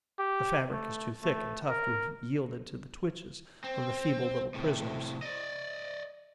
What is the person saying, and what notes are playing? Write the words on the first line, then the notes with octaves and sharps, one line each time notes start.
The fabric is too thick and tough to have yielded to the twitches of the feeble little prisoners.
G4
A3
A3
A#4
C4
A2 C3
D5 D#5